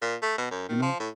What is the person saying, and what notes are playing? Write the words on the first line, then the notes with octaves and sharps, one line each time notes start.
you know?
A#2
A3
B2
F#2
D#3
F3
A2